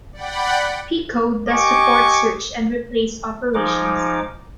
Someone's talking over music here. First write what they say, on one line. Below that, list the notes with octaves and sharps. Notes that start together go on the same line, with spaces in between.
Pico does support search and replace operations.
D5 F#5 G5 B5
G4 D#5 G#5 C#6 D6
F3 G#3 D#4 D6